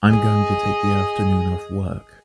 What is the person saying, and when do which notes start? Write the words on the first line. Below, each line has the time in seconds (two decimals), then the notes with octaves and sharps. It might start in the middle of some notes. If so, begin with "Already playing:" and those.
I’m going to take the afternoon off work.
0.09 G#4 D#5